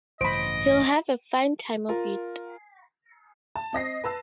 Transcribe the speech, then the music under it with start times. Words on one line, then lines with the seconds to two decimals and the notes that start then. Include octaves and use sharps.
He’ll have a fine time of it.
0.21 A1 G2 C#3 C5 D#5 B5 D7
1.89 F4 A#4
3.56 A5
3.73 C4 D#5 A#6 C7
4.04 B4 A5 E6